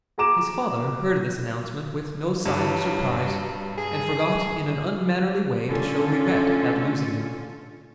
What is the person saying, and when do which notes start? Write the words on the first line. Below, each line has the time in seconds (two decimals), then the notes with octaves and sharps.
His father heard this announcement with no sign of surprise, and forgot in an unmannerly way to show regret at losing him.
0.18 F#4 G#4 A#5 D6 E7
2.46 G2 F#3
3.78 G#4
5.68 D3 A3 C#4 F4 A4